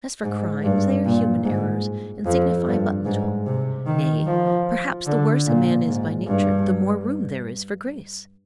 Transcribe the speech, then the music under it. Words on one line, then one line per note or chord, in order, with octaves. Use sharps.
As for crimes, they are human errors, and signify but little; nay, perhaps the worse a man is by nature, the more room there is for grace.
G#2
G2
A#2
G#2
F2
G2
G#2
C3
D#3
F3
D3
A#2
G#2
G2